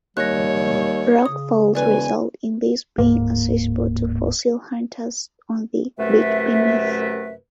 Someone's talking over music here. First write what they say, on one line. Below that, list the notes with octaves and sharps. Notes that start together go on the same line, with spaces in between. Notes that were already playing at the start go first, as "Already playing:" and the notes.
Rockfalls result in these being accessible to fossil hunters on the beach beneath.
D#2 G3 C#5 F#6 A#6
C#3 D#6
E1 B4 D5 G#5
D1 G#2 A#3
F#2 C3 A3 A#4 B4 E5